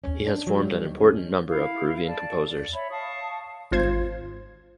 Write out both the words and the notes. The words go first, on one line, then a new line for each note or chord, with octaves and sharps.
He has formed an important number of Peruvian composers.
C#4
D4
F#3
G3
D#2
C#4
E4 F5
D5 A5
D5
C#5 E5 B5
F5 A5 C#6 D#6
G#1 F4 C5 G#6